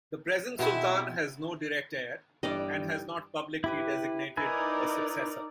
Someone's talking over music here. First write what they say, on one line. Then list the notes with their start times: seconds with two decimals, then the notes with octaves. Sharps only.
The present Sultan has no direct heir, and has not publicly designated a successor.
0.59 B2 C4 E4 G#4 E5
2.43 G1 E3 G3 G4 D5 D#5
3.64 E4 G4 B4
4.37 D#4 E4 A#4 B4 D5 G#5